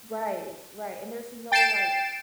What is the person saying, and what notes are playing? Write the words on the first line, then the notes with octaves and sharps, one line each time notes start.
Right, right, and there's no like
G5 A6 C7 D7 E7